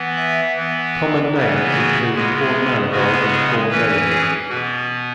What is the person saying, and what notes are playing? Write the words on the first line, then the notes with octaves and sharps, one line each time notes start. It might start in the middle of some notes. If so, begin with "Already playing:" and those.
Common names include corn marigold and corn daisy.
Already playing: E3 B3
E5
E3 B3
C#3 E3 B3
F#4
C#3 G#3 B3
C#3 G#3 B3 F#4
G#4
E3 C#4 B4
G#4
B2 B3 F#4